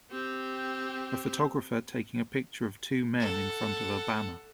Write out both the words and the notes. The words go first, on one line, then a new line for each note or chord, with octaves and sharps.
A photographer taking a picture of two men in front of a banner.
C4 G4
A4 F#5